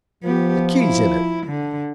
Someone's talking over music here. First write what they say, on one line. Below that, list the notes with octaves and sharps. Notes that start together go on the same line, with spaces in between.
"The key's in it."
F3 B3 G4
E4
D3